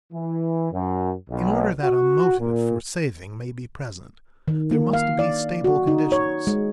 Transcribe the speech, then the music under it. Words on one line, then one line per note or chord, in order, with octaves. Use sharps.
In order that a motive for saving may be present, there must be stable conditions.
E3
F#2
B1
F#4
A#2
D#3
A#3
F5
D5
F#4
D#4
C#5
G#3